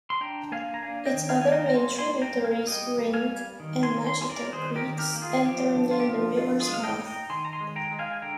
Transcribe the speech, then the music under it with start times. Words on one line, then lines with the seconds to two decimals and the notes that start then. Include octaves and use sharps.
Its other main tributaries, Ring and Mashiter Creeks, enter near the river's mouth.
0.10 C6
0.21 D4 G5 A#5
0.52 A#3 F5 G#5
0.74 A#5
0.82 D4 F5 G#5
1.05 D#5 G5
1.14 D#3
1.29 F5 G#5
1.41 A#3 G#5
1.52 G5 A#5
1.66 A#5
1.75 G3 G#5 C6
1.98 G#5 C6
2.06 A#3
2.22 G5 A#5
2.37 A#3
2.44 F5 G#5
2.67 G3 D#5 G5
2.98 G3
3.14 F5 G#5
3.29 G3
3.60 D#3
3.83 G#5 C6
3.91 D#3
4.06 C6
4.21 G3 G#5 C6
4.29 A#4 D5
4.52 D#3 G#4 C5
4.76 G4 A#4
4.83 D#3
4.98 G4 A#4
5.14 A#3
5.22 F4 G#4
5.45 F3 G4
5.75 D3
5.91 F4
6.00 G4
6.06 F3 F4
6.37 D3 F4
6.60 F4 G#4
6.68 G#3
6.74 F5
6.84 D#5 G5
6.99 D#4
7.07 G5 A#5
7.30 D#3 G#5 C6
7.45 A#5
7.53 G#5 C6
7.61 G#3
7.76 G5 A#5
7.91 G#3
7.99 F5 G#5
8.12 G#5
8.22 D3 G5 A#5